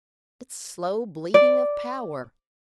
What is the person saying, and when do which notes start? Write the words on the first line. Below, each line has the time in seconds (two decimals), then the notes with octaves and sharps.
It's slow bleeding of power.'
1.34 D5